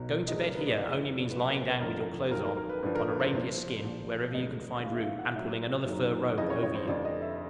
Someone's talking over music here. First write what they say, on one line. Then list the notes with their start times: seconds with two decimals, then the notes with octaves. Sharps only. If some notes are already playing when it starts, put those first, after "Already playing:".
Going to bed here, only means lying down with your clothes on, upon a reindeer skin, wherever you can find room, and pulling another fur-robe over you.
Already playing: B1 B2 F#3
0.28 F1 E2 C#3 F#3 D#5
0.41 A#4
0.54 B4
0.67 D5
0.79 F1 F2 C#3 E3
1.30 A#1 A#2 F#3 B4
1.47 A#4
1.64 B4
1.80 G1 F2 D3 F3 A#4
2.31 D#2 D#3 F#3 A#4
2.44 A#4
2.57 A#4
2.69 B4
2.83 G1 G2 D3 F3 B4
2.95 A#4
3.07 B4
3.20 C5
3.33 C2 A#2 F3
3.83 A#1 A#2 F3
4.34 E1 D2 C#3 F#3 D#5
4.84 D#2 C#3 E3 F5
4.95 E5
5.02 F5
5.19 F#5
5.35 A1 A2 F#3 E5
5.87 F#1 F#2 D#3 F#3
6.37 F#1 F2 C#3 E3 D#5
6.50 C#5
6.63 C#5
6.75 C5
6.87 F1 F2 D3 D5
7.05 D#5
7.22 E5